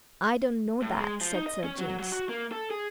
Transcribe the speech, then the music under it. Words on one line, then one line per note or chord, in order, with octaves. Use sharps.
"I don't know that," said Sir James.
A2
G#3
F3
D#4
D#5
C#4
F#3
F#3
F#4
A#3
A4
G#4